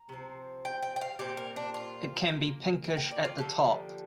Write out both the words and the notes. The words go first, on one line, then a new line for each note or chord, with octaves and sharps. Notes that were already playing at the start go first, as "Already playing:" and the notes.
It can be pinkish at the top.
Already playing: A#5
C3 F3 C4
G5
G5
G5
F5
A#2 G3 C4 G4
A#4
D4
F4
A#2 A#3
A#4
G5
D5
F4
D3 F3 A#3 G4